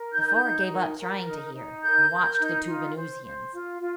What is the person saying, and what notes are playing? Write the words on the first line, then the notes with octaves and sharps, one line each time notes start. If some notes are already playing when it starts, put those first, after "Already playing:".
The four gave up trying to hear, and watched the two Venusians.
Already playing: A#4
D#4 G6
D#4
A#4
A#4
D#4
D#4
A#4 G6
A#4
D#4
F4
C5
C5
F4
F4